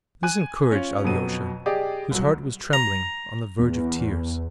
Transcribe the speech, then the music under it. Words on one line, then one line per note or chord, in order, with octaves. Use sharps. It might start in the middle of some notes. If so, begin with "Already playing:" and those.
This encouraged Alyosha, whose heart was trembling on the verge of tears.
G#5 F#6 D#7
C#4 F4
F2 B2 F#3 B3 D#7
G4 G#4 D5 D#5
C2 F#3
A#5
E2 B3